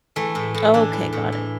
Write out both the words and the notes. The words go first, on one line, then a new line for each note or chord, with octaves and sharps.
Okay, got it.
E3 A3
A2
A2
E3 D4
E3
A2
E3